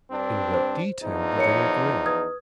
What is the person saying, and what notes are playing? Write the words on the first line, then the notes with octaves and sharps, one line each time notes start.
In what details do they agree?
G2 C4 D4
C5
E2 F3 D#4
A#4 C#5 C#7
B4 D#6 G#6